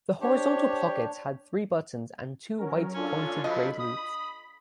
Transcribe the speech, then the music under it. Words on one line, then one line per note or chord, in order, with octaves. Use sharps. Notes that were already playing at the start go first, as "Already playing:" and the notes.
The horizontal pockets had three buttons and two white pointed braid loops.
D4 G4 C5 C#5
F#3 C#4 A#4
C#4 D4 F4 A4
F3 F#3 D#5 B5
D#6